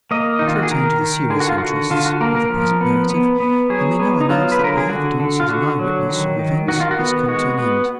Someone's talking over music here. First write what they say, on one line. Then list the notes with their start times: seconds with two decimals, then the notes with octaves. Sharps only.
To return to the serious interests of the present narrative, I may now announce that my evidence as an eye-witness of events has come to an end.
0.11 A#3 D#5
0.39 D#3 D#4
0.47 F4
0.56 F#4
0.63 G#4
0.71 D#3 A#4
1.01 D#3
1.30 D3 G#4
1.40 F#4
1.49 F4
1.58 D3 F#4
1.90 D3 F4
2.05 F#4
2.21 A#3 A#4
2.35 A#4
2.50 F3
2.81 B3
3.10 B3
3.40 B3
3.70 F#3 G#4
4.00 B3
4.21 D#4
4.29 F#3 F4
4.52 B4
4.60 D3 A#4
4.77 G#4
4.89 D3 F#4
5.20 D3
5.40 F4
5.49 D3 F#4
5.79 F#3
6.09 D#3
6.39 D#3
6.68 D#3 F#4
6.80 F4
6.91 F#4
6.99 B3
7.28 G#3 F#4
7.58 B3